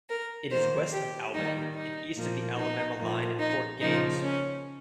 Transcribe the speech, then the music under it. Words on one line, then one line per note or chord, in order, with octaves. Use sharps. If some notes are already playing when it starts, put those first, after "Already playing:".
It is west of Albany and east of the Alabama line at Fort Gaines.
A#4
D#3 A#3 C5
G4
D#3 G3 A#3 D#4
D#4
A#2 F3 A#3
D#4
A#2 F3 A#3
D#4
C#3 F3 A#3 D#4
C#4